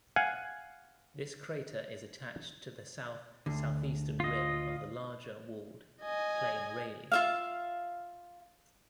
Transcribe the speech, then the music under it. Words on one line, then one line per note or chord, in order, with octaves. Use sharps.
This crater is attached to the south-southeastern rim of the larger walled plain Rayleigh.
F5 F#5 G#5
D2 D3
F4 D#5
D#5 G#5
F4 E5 F5